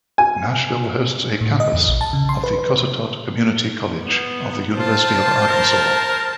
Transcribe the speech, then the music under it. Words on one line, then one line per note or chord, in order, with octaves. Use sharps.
Nashville hosts a campus of the Cossatot Community College of the University of Arkansas.
G#5
A2
D#5
E2
A#1
A5
C#3
C6
B4
B4
B3
F4 C5 A5
A#4